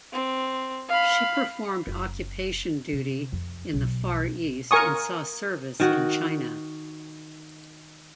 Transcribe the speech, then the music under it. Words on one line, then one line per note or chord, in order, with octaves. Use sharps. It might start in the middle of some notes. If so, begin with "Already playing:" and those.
She performed occupation duty in the Far East and saw service in China.
C4
F5 B5
F#1
C3
F2
B1
A#4 G#5 C#6 D#6
D#3 F#4